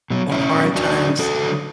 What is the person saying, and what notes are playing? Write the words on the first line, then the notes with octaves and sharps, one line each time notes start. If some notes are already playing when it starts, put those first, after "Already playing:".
or hard times
B2 F#3
E2 C#4 E4
B2 F#3
E2 D4 F#4
D3 F#3
E2 F#4 A4
D3 F#3